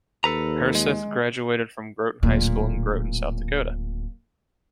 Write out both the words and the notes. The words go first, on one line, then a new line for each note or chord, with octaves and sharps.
Herseth graduated from Groton High School in Groton, South Dakota.
D#2 A4 B4 A#5
G#3
D1 A#2